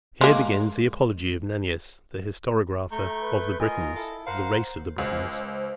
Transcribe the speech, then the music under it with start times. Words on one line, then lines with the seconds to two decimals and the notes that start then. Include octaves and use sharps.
Here begins the apology of Nennius, the historiographer of the Britons, of the race of the Britons.
0.21 G#3 A#3
2.91 A3 A#5 C#6 G6
3.21 B4
3.60 F4 A#4 D#5 G#5
3.96 E4 A4
4.27 A#4 C5 F5 F#5
4.98 C#2 C5